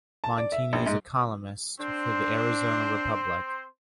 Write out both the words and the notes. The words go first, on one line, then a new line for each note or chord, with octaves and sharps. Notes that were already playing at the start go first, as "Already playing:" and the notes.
Montini is a columnist for "The Arizona Republic".
A5
D5
E5
A#1
G#2
C4 D4 C5